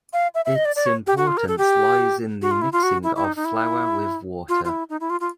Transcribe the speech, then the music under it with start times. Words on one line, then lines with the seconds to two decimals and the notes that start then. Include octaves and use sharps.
Its importance lies in the mixing of flour with water.
0.13 F5
0.34 E5
0.45 E5
0.55 D#5
0.65 D5
0.76 D5
0.86 C#5
1.07 G4
1.17 F#4
1.27 F4
1.37 A#4
1.48 A4
1.58 G4
2.42 F#4
2.51 F4
2.62 E4
2.72 F4
2.83 F#4
3.03 E4
3.16 E4
3.24 D#4
3.36 D#4
3.45 E4
4.49 F4
4.64 F4
4.69 E4
4.89 D#4
5.00 E4
5.10 F4
5.20 F4